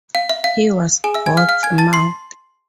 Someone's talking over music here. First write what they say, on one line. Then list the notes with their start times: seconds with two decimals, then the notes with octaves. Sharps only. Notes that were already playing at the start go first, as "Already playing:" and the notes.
He was God's "mouth".
0.15 F5
0.29 E5
0.44 F5
1.04 G#4 G#5
1.14 E5 E6
1.26 G#5 G#6
1.37 F5 F6
1.49 F5 F6
1.63 G#5 G#6
1.78 A5 A6
1.93 C6 C7